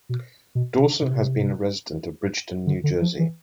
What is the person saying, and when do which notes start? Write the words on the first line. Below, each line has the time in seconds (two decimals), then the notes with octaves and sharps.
Dawson has been a resident of Bridgeton, New Jersey.
0.09 B2
0.55 B2
0.79 C3
1.02 C3
2.67 D3
2.84 D3
3.02 F3
3.19 E3